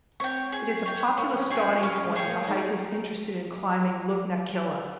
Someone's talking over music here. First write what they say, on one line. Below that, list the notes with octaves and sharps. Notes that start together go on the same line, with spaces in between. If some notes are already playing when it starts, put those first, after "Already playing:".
It is a popular starting point for hikers interested in climbing Lugnaquilla.
C4 C#5 G5
G#4
C#5 G5
A#3 C#4
C4
C#4 G#4 C#5 G5
F3
G3 C#4
G#3
G#4 C#5 G5
A#3
G#3 D#4